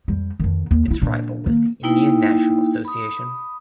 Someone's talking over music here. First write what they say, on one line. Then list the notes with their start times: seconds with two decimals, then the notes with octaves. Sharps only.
Its rival was the Indian National Association.
0.08 F2 G3
0.39 F2 D#3
0.71 D#2
0.88 D4 E4
1.02 A#2 D4
1.46 D#3 A#3
1.83 A#3 D#4 E4 G5
2.85 B5 D#6